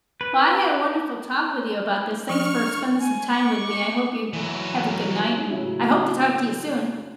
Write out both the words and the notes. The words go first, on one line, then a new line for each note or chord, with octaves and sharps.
Well, I had a wonderful talk with you about this, thanks for spending some time with me, I hope you have a good night, and I hope to talk to you soon.
B4
F3 D4 C#6 F6
G#5
C#6 D6
E3 F#3
A2 C#3 F#3 C#4 E4